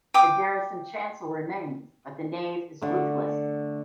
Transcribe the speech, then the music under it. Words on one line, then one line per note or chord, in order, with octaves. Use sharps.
The Garrison Chancel remains, but the Nave is roofless.
G5 D6 D#6
D3 A3